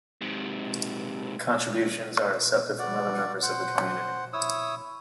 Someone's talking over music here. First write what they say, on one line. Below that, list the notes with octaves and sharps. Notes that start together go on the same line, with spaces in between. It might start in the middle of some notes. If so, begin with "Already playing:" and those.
Contributions are accepted from other members of the community.
G#2 C3
F#4 D5
C5 F#5
E4 C#5 D#6 E6